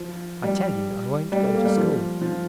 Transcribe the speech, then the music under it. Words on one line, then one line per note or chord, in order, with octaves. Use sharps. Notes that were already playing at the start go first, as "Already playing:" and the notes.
"I tell you I won't go to school."
Already playing: F3
G3
G3
A3
A#3
G3
F3
F3